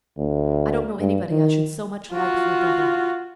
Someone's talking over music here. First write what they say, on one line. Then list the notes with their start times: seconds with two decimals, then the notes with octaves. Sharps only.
I don't know anybody I should so much like for a brother.
0.18 D2
0.99 G2
1.31 D#3
2.12 F4 F#4